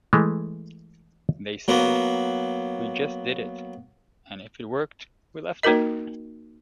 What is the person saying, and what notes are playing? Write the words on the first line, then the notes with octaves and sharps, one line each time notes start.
They said, 'We just did it, and if it worked, we left it.
E3 G#3 A3
F#3 A#3 B3
A#3 D#4 F#4 A#4 D#5